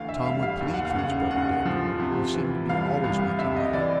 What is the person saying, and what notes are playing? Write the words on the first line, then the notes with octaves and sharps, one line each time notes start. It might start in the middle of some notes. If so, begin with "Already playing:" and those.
Tom would plead for his brother Dick, who seemed to be always wanting money.
Already playing: D2 E3 F5
E5
G3 F5
F5
D#2
F#5
F5
C#3 F#5
F1 F#5
F3
C3
E3
C2 F5
C2
C3 E5
D#5
E3 D5